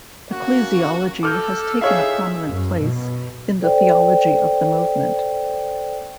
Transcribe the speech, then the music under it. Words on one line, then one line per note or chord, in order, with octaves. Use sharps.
Ecclesiology has taken a prominent place in the theology of the movement.
A#3 C#4 F#4
A4 D6 F6 G6
D#4 E4 G#4 C#5 E5 F5
F#2
B2
A4 C5 D5 G5